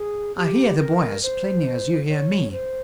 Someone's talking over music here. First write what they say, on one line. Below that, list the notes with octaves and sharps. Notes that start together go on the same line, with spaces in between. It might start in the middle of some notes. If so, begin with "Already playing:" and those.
I hear the boy as plainly as you hear me.
Already playing: G#4
G4
A#4
C5
C#5
C5